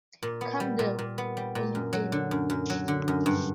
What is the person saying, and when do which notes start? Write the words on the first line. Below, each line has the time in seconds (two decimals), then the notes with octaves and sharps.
Campbell, Olive Dame.
0.23 A#2
0.41 B3
0.60 G3
0.79 A#2
0.99 A#2
1.18 B3
1.37 G3
1.55 A#2
1.75 F#2
1.93 F#3
2.12 D3
2.31 F#2
2.50 F#2
2.70 F#3
2.88 D3
3.08 F#2
3.26 G2